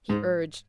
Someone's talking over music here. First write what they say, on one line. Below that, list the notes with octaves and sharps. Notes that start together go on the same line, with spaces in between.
He urged.
G#2 G#3